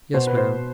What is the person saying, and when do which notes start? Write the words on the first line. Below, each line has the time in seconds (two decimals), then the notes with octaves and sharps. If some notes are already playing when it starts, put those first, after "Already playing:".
'Yes, ma'am.
0.14 B2 C5
0.27 B4
0.37 C5